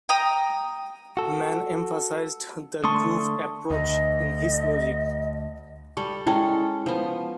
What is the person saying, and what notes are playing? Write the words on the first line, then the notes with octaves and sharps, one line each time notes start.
Mann emphasized the groove approach in his music.
G5 A#5 D#6
F#4 A4
D3 A3 A5 C6 C#6 D#6
D2 D#5
G3 A4 C#6
G#3 C#4 E4 A4 G5 A5
F3 B3